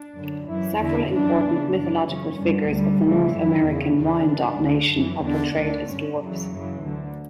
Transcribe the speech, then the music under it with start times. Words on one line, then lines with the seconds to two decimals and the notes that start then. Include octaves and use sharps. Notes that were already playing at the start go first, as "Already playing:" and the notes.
Several important mythological figures of the North American Wyandot nation are portrayed as dwarfs.
Already playing: D4
0.16 F#2 D3
0.48 F#2 E3 E4
0.80 E2 D3 E4
1.12 F#2 E3 D4
1.44 E2 C#3 E3
1.75 F#2 E3 D4
2.07 F#2 C#3 E3 C#4
2.39 G2 D3 G3
2.71 D2 D3 G3
3.03 D2 C#3 E3
3.35 F#2 D3 E4
3.66 E2 C#3 E3
3.98 E2 C#3 E3 D4
4.30 G2 E3
4.62 D2 D3
4.93 F#2 E3
5.26 E2 D3 D4
5.57 D2 D3 D4
5.89 G2 D3 C#4
6.21 F#2 C#3 E3 F#3
6.53 F#2 C#3 E3
6.84 D2 D3